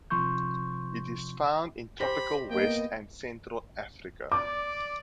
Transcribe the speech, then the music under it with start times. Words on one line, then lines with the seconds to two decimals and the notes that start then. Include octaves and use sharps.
It is found in tropical West and Central Africa.
0.10 C3 F3 C6 C#6 G6
2.00 G4 C5 B5 A#6
2.50 A#3 B3 D#5 G5
4.32 D5 D6